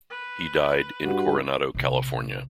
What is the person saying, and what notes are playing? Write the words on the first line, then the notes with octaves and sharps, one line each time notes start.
He died in Coronado, California.
B4
G2 F#4
A#1 C3